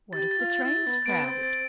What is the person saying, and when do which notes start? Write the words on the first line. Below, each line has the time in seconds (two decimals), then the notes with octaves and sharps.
What if the train is crowded?
0.13 G4 A6
0.31 A6
0.38 F4
0.50 A6
0.63 E4
0.68 A6
0.87 B3 A6
1.06 B3 D7
1.24 C4 A6
1.43 A6